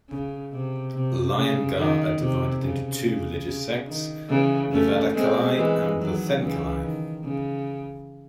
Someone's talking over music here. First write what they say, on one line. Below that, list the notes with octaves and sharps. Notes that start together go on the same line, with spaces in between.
Iyengar are divided into two religious sects, the Vadakalai and the Thenkalai.
C#3
C3
C3
C#3
D#3
C3
C#3
C#3
C#3
D#3
C#3 E3
A3 C#4
G#3 C4
E3 G#3
D#3 F#3
C#3 E3
D#3
C#3